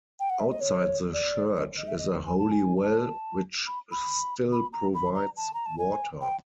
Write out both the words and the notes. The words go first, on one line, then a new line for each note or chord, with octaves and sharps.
Outside the church is a holy well which still provides water.
G5
F#5
E5
D#5
C#5
D5
D#5
D#5
E5
D#5
G#5
A5
G#5
A5
B5
B5
B5
A#5
B5
A#5
A5
A#5
A5
G#5
G5